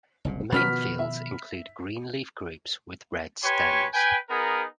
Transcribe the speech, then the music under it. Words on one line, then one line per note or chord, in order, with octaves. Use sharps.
The main fields include green leaf groups with red stems.
F#1 C2 A#2
B2 D#3 F3 B3 F#4 B5 F6 B6
E5
G4 B4 C#5 G#5 C6 C#6
B4 G5 G#5
B3 D#4 G#4 A#4